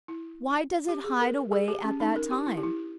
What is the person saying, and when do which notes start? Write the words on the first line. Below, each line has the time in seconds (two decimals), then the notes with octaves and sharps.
Why does it hide away at that time?
0.08 E4
0.89 G4
1.04 G#4
1.20 A#4
1.52 G#4
1.68 G4
1.84 C#4
2.00 D#4
2.16 A#4
2.31 G4
2.47 E4
2.57 G4
2.63 E4